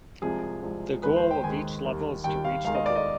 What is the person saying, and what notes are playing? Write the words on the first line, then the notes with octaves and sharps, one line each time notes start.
The goal of each level is to reach the hole.
C2 C3 F3 G#3 G#4
C2 C3 F3 G#3
D#2 D#3 G#3 B4
C5
G5
D#2 D#3 G#3 G#5
D#2 D#3 G3
D#2 D#3 G3 G5
F5
D#2 D#3 G#3 F5
D#5
D5
D#5